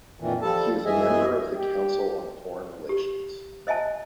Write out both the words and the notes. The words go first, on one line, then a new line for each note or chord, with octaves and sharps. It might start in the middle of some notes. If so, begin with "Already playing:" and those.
He is a member of the Council on Foreign Relations.
F2 A#2 D#3 E3
F3 G3 A4 A5
F#2 E3 G#4 D#5 E5 G#5
G4
G4
C5 D#5 E5 G#5 A5